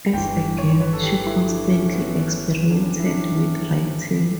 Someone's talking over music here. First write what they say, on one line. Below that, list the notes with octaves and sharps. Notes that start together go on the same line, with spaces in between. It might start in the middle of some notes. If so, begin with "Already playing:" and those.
As a girl, she constantly experimented with writing.
G1 G2 E3 G5
C#5
C#5
B4
A4
G4
E4
D4
C#4
B3
D4
C#4
E4
D4